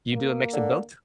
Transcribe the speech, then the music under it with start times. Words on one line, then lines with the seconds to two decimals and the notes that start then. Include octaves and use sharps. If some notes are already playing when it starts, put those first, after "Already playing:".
You do a mix of both?
0.13 A#3
0.53 D3